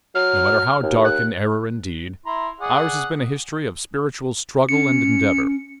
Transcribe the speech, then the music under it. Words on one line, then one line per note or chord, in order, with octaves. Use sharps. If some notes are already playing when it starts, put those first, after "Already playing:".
No matter how dark in error and deed, ours has been a history of spiritual struggle and endeavour.
F#3 F6
D#2
F#6
E4 A#5 C6
G#4 D5 F#5
C#4 C#7